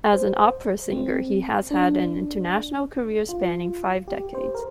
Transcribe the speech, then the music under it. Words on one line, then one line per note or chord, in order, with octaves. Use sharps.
As an opera singer, he has had an international career spanning five decades.
C5
C4
D4
F4
G4
C5
A#4